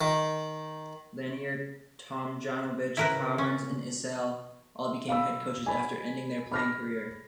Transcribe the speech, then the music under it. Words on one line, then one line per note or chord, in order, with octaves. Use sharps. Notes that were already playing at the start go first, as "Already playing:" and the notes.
Lanier, Tomjanovich, Cowens and Issel all became head coaches after ending their playing career.
D#3
C#3 E4 A#4 B4
C#4
F5 B5 E6
G#5 B5
B5 F6 A#6